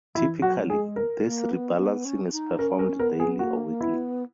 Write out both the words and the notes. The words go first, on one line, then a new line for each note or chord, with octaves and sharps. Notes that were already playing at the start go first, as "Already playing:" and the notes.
Typically, this rebalancing is performed daily or weekly.
E3 E4
F#3 F#4
G#3 G#4
A#4
A#3
B3
B3
C#4
C#4
D#4
C#4 A#4
A#4
B3 A#4
G#4
A#3 F#4
B3 E4